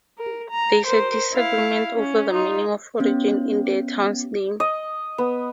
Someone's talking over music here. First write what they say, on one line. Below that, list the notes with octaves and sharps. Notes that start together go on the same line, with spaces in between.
There is disagreement over the meaning and origin of the town's name.
A#4
A#5
A#4 C5
E4 F5
C#4
D#4 F4
B3 C#4
D#5
B3